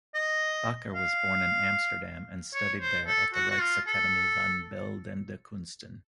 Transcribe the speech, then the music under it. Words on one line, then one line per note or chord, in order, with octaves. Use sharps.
Bakker was born in Amsterdam and studied there at the Rijksakademie van beeldende kunsten.
D#5
F5
C#5
C5
A4
F#4
F#4
F4
A4